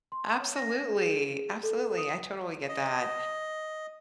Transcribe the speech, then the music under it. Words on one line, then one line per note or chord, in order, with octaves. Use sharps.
Absolutely, absolutely, I totally get that.
C6
C#5
A#6
G#4
A4
D#6
D#5